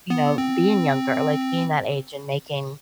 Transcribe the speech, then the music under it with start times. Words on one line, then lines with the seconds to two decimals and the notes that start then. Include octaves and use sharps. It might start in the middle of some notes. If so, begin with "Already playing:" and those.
you know, being younger, like being that age and making,
0.10 B3
0.38 C4